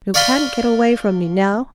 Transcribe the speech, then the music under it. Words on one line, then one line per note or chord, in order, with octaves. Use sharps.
You can't get away from me now.
C#5 D5 F5 G#5 B5 C6